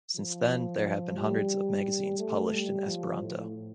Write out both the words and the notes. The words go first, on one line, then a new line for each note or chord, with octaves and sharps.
Since then there have been hundreds of magazines published in Esperanto.
F3
G3
A3
G3
F3
A2